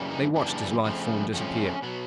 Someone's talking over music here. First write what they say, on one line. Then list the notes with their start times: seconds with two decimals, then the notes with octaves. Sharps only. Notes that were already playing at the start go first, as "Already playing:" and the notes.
They watched his lithe form disappear.
Already playing: F#2 C#3 E3 G3 A#3
0.11 D#4
0.36 F#2 C#3 E3 G3 A#3 D4
0.85 F2 C#3 F3 A3 C4
1.33 F2 C#3 F3 A3 C4 C#4
1.82 B2 F#3 B3